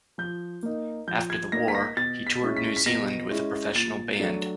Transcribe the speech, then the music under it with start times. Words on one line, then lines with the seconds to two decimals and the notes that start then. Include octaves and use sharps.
After the war, he toured New Zealand with a professional band.
0.18 F3 G6
0.63 A#3 D#4
1.08 F3 G6
1.30 G#6
1.52 A#3 D#4 A#6
1.68 B6
1.75 A#6
1.97 B2 A6
2.27 B6
2.41 G#3 C#4 E4
2.56 B6
2.76 B6
2.86 B2 A#6
3.31 G#3 C#4 E4
3.75 A#2 A6
4.20 F#3 A3 D4